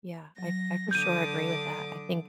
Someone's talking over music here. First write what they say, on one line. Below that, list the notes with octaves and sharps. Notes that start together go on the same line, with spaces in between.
Yeah. I I for sure agree with that. I think
F#3 A#6
D3 D6 D#6 G6 D#7